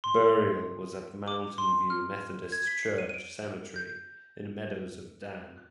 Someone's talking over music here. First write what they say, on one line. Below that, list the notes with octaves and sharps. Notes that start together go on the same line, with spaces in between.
Burial was at Mountain View Methodist Church cemetery in Meadows of Dan.
C6
D6
C6
F6
G#6
B6
C7
D#7
D#7
D7
G6